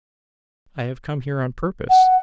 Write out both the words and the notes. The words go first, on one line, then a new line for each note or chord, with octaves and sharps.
I have come here on purpose.
F#5